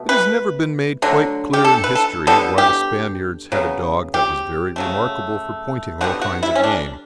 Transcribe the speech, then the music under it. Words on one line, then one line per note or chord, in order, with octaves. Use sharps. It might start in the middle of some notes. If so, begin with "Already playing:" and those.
It has never been made quite clear in history why the Spaniards had a dog that was very remarkable for pointing all kinds of game.
Already playing: B2 A3
B4
D3 F#3 A3
G4
A4
B4
A4
D3 G3 B3 A4
G4
C#3 F#3 B3
G4
C#3 F#3 A3
D3 G3 B3 F#4
F#4
E4
C#4
D4